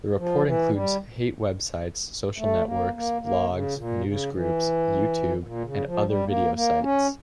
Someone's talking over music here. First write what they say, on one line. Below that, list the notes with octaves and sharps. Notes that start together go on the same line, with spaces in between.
The report includes hate websites, social networks, blogs, newsgroups, YouTube and other video sites.
F3
E3
G3
A3
A#3
A#3
A#3
C#3
A#2
C#3
E3
A#2
C#3
F3
G3
A#3
A#3
C#4